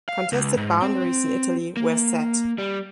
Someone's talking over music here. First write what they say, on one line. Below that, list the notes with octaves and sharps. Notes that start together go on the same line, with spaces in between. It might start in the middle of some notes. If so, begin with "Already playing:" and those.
Contested boundaries in Italy were set.
F5
C#2
G#2
C4
A#3
G3